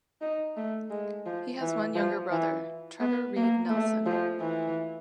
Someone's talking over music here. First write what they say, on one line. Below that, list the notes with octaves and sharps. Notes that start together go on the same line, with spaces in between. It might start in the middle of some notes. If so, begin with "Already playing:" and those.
He has one younger brother, Trevor Reed Nelson.
D#4
A3
G#3
F3
E3
F3
E3
B3
A#3
A3
F3
E3